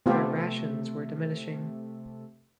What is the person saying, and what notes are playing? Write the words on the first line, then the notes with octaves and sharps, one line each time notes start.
Their rations were diminishing.
C3 A3 B3 F4 G4